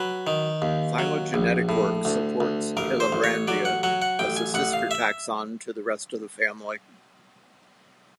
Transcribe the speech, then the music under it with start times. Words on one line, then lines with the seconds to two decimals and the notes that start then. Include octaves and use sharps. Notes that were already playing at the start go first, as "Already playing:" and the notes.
Phylogenetic work supports "Hillebrandia" as the sister taxon to the rest of the family.
Already playing: F#3 B4
0.27 D#3
0.62 D#2
0.99 F#3
1.34 A#1
1.69 A2
2.05 D2
2.40 D2
2.77 A1 A#4
3.00 C5
3.12 A1
3.24 C#5
3.48 F#3 D5
3.65 F#5
3.83 F#3 F#5
4.02 F#5
4.19 A1 G5
4.37 G#5
4.54 A1 F#5
4.73 F5
4.91 E5